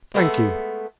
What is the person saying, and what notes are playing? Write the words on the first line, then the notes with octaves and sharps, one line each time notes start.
"Thank you."
G#3 A3 B3 A4